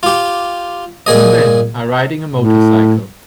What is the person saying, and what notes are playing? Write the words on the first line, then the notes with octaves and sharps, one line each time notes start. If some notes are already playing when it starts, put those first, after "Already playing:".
Two men are riding a motorcycle.
F4 G4
A#2 G#4 D#5
A2